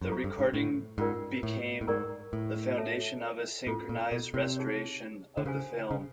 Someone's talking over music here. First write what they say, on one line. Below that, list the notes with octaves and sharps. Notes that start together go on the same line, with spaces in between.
The recording became the foundation of a "synchronized restoration" of the film.
F#2
G2 A4 C5 F5 A#5 C#6
G2
G#2
A2
G#2 C#4 F4 A#4 D5 G5
A2
A2
G#2 A#4 D5 G5 A#5 C#6
A2
A4 C#5 E5 A5
A2 C#4 F4 A4
A#2
B2
C3
D#4 G#4 C#5
D3
C#3 G4 C5 F5 G#5
C#3